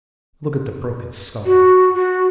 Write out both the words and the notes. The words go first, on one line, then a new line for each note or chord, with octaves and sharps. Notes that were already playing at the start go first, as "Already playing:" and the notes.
'Look at the broken scull.
F#4
F#4